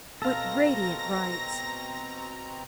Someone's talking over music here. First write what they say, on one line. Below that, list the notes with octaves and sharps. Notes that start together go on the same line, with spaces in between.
'What radiant rites!
B2 C4 A4 F5 A#5 A#6